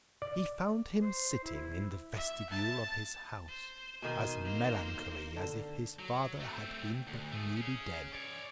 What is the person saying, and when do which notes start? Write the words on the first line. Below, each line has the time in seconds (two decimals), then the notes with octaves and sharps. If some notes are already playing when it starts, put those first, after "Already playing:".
He found him sitting in the vestibule of his house, as melancholy as if his father had been but newly dead.
0.22 D5
0.99 C5
1.43 E4
2.15 E5
2.49 A5
3.48 C5
4.02 B2 D#3 C5 G#5
4.43 A#3 C5
5.37 D3
5.99 F#3
6.40 A3 C4
7.07 D2
7.31 A3 G#4
7.57 C#4 G#4
8.13 C#5 D5